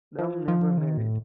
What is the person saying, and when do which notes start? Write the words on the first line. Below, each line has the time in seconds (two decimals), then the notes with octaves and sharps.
Dumm never married.
0.19 F3
0.48 F3
0.78 D#3
0.97 A2